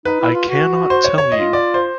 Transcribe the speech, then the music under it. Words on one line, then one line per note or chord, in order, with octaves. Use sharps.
I cannot tell you.
D#4 B4
E4
F4
F#4
C5
C#5
C#5
F4 D#5
D5
C5